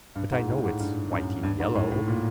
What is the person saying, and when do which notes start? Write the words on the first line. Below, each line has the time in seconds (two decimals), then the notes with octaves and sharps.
But I know it's whitey yellow.
0.16 G2
0.32 G#2
0.48 A2
0.64 G#2
0.80 G2
1.12 F#2
1.43 G2
1.60 G#2
1.75 A2
1.92 A2
2.08 A#2